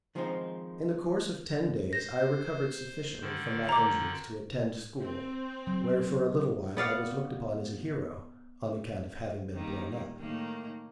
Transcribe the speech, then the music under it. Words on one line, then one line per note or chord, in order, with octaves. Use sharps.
In the course of ten days I recovered sufficiently from my injuries to attend school, where, for a little while, I was looked upon as a hero, on account of having been blown up.
D#3 F3 G#3 C4 C#4 D#4
C5 A#6
D3 D#3
A#5 D6
C4
F#3
B3 D5 F5 F#5
D#3 G3 A#3
A2 D#3 A#3